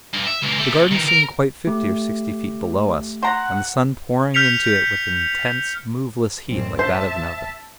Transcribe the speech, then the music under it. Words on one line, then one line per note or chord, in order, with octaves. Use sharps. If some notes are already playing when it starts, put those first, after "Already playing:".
The garden seemed quite fifty or sixty feet below us, and the sun pouring into it with an intense, moveless heat like that of an oven.
G2
E5
C#2 A#3
G3 A3
D#3 E3
A#4
A3 G4
C5 F#5 A#5
F6 G6 B6 C#7 F7
A1 F#2 C4
C5 E5 A5